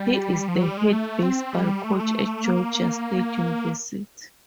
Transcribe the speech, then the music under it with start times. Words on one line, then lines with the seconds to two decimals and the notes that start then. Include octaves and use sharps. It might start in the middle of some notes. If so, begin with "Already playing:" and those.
He is the head baseball coach at Georgia State University.
Already playing: G3
0.48 F3
0.56 F#3
0.63 G3
0.77 G#3
0.93 A3
1.23 C4
1.53 G3
1.84 A3
1.93 G#3
2.00 A3
2.45 A#3